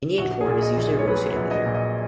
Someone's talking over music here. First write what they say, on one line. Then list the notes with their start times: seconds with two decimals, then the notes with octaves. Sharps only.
Indian corn is usually roasted in the ear.
0.18 A#1 F#4
0.41 G#4
0.48 A#2
0.62 D#5
0.77 A#1
0.84 G#4
0.99 C#5
1.08 F#3 B4
1.29 B4
1.36 A#1
1.51 D#5
1.66 A#2
1.74 D#5